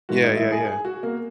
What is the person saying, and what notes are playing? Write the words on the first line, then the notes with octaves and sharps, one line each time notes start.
Yeah, yeah, yeah.
G#2 E3 F#4
D#4
E4
G#4
G#4
F#4
A#3